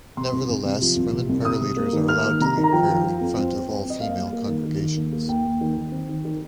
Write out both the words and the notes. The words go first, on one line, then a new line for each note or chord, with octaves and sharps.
Nevertheless, women prayer leaders are allowed to lead prayer in front of all-female congregations.
C3 C6
C2
C2
C3
F3
C2
C3
C2
C3 D#6
C3
A#3
D#3
A#3 F6
D#3
C3 A#5
D#3
A#5
F3 G5
F3
F3
F2
C4
C4
C4
C4
D#5
A#3 F5
G3
A#3
D#3
D#3
D#3
D#2
A#3
D#2 G5
D#2
D#3
D#3
C4
D#3
D#3